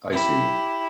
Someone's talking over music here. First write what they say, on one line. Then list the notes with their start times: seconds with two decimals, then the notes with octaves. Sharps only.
I see.
0.12 E4 G4